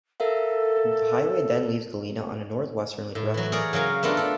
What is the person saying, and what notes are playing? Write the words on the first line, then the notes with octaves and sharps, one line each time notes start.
The highway then leaves Galena on a northwesterly direction.
A4 A#4 E5 F5
A2
E3 F#3
G#4 A#4 C#5 D5
C#3 F#3 C#4 A#4 F5
A3 B3 D4 F4 A#4
D4 A4